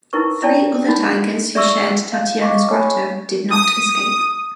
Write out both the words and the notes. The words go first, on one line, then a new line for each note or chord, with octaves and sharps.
Three other tigers who shared Tatiana's grotto did not escape.
D#4 E4 A#4 B4 C#6
E4 C#5 D5 G5 A5
D4 D#4 B5
D5 E5 C#6 E6
F5 G6
D#5 F5 C#6 D6
C#5 G#5 A5 B5 C#6
D#6